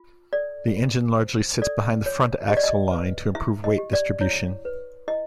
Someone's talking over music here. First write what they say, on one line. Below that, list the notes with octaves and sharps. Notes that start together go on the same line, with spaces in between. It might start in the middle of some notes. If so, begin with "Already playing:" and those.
The engine largely sits behind the front-axle line to improve weight distribution.
Already playing: F4
A4 D5
F4
C5
A4 D5
F4 C#5
G4 D#5
D5
D#5
B4
E4 E5
D#5
G4
D5
E4 C#5
B4
E4 D#5